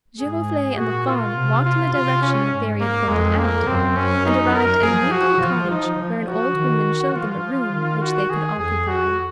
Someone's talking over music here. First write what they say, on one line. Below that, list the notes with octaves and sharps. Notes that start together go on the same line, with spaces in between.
Giroflee and the Fawn walked in the direction the Fairy had pointed out, and arrived at a neat little cottage where an old woman showed them a room which they could occupy.
G#2 G#4
A#2 F#4
F4
C3
F4
C3 F4
C#4
G#2
A#3
F2 G#3
A#3
F#2 C4
C#4
D#4
A#4
F3 G#4
F#4
F3 F4
D#4
F3
F#4
D#3
F3 F4
D#3
F#4
D#3 G#4
F2 G#4
F#4